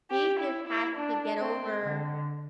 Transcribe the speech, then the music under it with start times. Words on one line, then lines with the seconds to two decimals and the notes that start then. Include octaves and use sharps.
she just has to get over
0.10 G4
0.39 E4
0.67 E4
0.96 D4
1.38 C4
1.81 D3